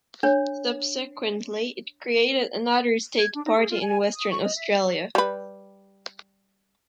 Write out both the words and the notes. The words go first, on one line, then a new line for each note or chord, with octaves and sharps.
Subsequently, it created another state party in Western Australia.
D4 C#5
G#6
D4
D#4
G#4
F4
G#5
G#5
D#6
C#6
D#5
E5
G3 B4